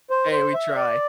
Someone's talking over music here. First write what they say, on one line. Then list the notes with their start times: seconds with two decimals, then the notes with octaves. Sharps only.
hey, we try.
0.10 C5
0.32 C5
0.54 E5
0.76 D5